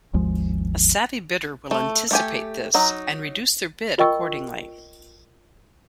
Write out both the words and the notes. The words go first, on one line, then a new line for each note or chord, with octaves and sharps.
A savvy bidder will anticipate this, and reduce their bid accordingly.
G#1 D#2 F3 G#3
A3
A3 G4 G#5
F#3 D#4
F4 A#4 D#5 G5 C#6 E6